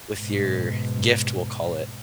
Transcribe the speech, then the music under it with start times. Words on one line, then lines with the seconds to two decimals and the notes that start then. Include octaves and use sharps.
with your gift, we'll call it?
0.16 G#2 B2